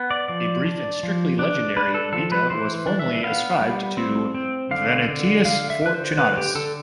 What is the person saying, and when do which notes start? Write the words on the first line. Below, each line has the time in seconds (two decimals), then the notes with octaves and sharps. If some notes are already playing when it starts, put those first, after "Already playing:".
A brief and strictly legendary "Vita" was formerly ascribed to Venantius Fortunatus.
Already playing: B3
0.11 D5
0.28 F3 D5
0.65 D4
1.03 F3
1.39 D4
1.77 D4 B4
1.94 A4
2.13 F3 A4
2.32 B4
2.50 E3 C5
2.87 D4
2.99 E5
3.24 B3 F5
3.60 G3
3.97 C4
4.35 C4
4.71 D3 F5
5.08 D3
5.45 D3 F5
5.70 E5
5.82 D3 B4
5.94 C5
6.18 D3 B4
6.37 G4
6.55 D3 A4